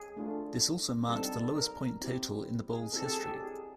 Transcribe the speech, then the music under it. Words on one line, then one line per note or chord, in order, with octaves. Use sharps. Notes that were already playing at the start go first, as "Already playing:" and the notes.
This also marked the lowest point total in the bowl's history.
Already playing: G#4
A3 D4 F4
G3 C4 D#4 A4
A#4
C4 E4 G4
G#4
C4 E4 G4 A4
A4
G#4
G4
G#4